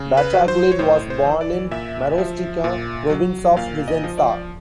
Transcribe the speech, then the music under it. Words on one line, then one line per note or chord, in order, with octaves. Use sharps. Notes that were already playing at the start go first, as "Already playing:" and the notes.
Battaglin was born in Marostica, province of Vicenza.
Already playing: C#3
B4
F#3
C5
C#5
A2 C5
C5
E3
D5
A#2 E5
F3
A#2
F#3
A#2 F5
D#5
F3
D5